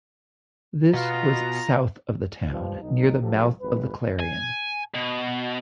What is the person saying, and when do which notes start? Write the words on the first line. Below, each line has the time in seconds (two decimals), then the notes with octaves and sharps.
This was south of the town near the mouth of the Clarion.
0.93 B2 F4 A#5
2.49 G2 F3
2.81 B1 D#4
3.20 A1 F3 F#3 G4 A4
3.60 G#1 F2 B4
4.20 G#5
4.94 B2